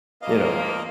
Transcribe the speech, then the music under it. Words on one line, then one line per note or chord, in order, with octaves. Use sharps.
you know,
G2 F3 A#3 D#5 F5